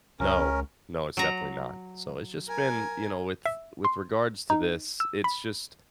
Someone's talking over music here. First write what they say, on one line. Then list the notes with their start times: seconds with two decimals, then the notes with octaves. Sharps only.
No. No. It's definitely not. So it's just been you know, with with regards to this, it's just,
0.20 C#2 C#4 A#4
1.17 F#3 A#5
2.47 A#4 G#5
3.46 E5
3.85 C6
4.50 D#4
5.00 E6
5.24 B5